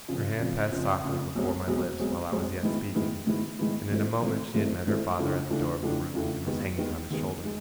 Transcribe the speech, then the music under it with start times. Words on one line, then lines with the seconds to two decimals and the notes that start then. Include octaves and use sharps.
Her hand passed softly before my lips while I was yet speaking, and in a moment she had met her father at the door of the room, and was hanging on his shoulder.
0.08 F1 F2 C#3 F3
0.39 F1 F2 C#3 F3
0.71 F1 F2 C#3 F3
1.04 F1 F2 C#3 F3
1.35 B1 B2 G#3 C4
1.67 B1 B2 G#3 C4
1.99 B1 B2 G#3 C4
2.31 B1 B2 G#3 C4
2.63 G#2 D#3 G#3 B3 E4
2.95 G#2 D#3 G#3 B3 E4
3.27 G#2 D#3 G#3 B3 E4
3.59 G#2 D#3 G#3 B3 E4
3.91 G#1 G#2 E3 A3 C4
4.22 G#1 G#2 E3 A3 C4
4.54 G#1 G#2 E3 A3 C4
4.87 G#1 G#2 E3 A3 C4
5.19 C#2 C#3 E3 A3 D4
5.50 C#2 C#3 E3 A3 D4
5.82 C#2 C#3 E3 A3 D4
6.14 C#2 C#3 E3 A3 D4
6.46 D#2 D#3 G#3 B3
6.78 D#2 D#3 G#3 B3
7.10 D#2 D#3 G#3 B3
7.44 D#3 G#3